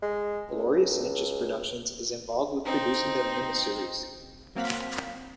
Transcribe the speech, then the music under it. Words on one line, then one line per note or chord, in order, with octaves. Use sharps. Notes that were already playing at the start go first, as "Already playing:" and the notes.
Gloria Sanchez Productions is involved with producing the miniseries.
G#3
C#2
C4 D#4
F#3 A#3 C4 F5 F#5 B6